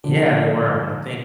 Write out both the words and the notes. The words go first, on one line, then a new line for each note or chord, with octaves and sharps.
Yeah, they were, and I think
D3 F3